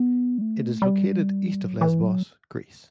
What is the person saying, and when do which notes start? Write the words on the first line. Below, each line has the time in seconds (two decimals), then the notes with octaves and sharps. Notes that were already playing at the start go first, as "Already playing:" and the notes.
It is located east of Lesbos, Greece.
Already playing: B3
0.38 G3
0.41 A3
0.82 G3
1.62 F#3
1.81 E3
2.02 F#3